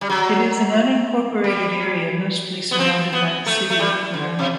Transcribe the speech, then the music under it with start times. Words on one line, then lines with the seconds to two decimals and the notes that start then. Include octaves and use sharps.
It is an unincorporated area mostly surrounded by the city of Corona.
0.01 G3
0.09 F#3
1.44 G3
2.71 B3
2.79 C4
3.13 B3
3.46 A3
3.70 A3
3.79 G3
4.14 D3
4.39 C3